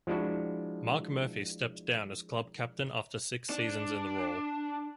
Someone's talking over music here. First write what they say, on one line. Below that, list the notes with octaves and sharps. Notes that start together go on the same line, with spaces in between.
Marc Murphy stepped down as club captain after six seasons in the role.
F3 G#3 D4 E4 F#4
D4